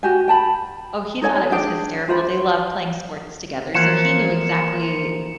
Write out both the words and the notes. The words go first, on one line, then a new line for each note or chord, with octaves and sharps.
Oh, he thought it was hysterical, they love playing sports together, so he knew exactly
F#4 G4 G#5
G5 A5 B5
D#4 A4 C#5 G#5
D4 G#4 G5
F4 C5 B5
E3 F3 A#3 C#7 E7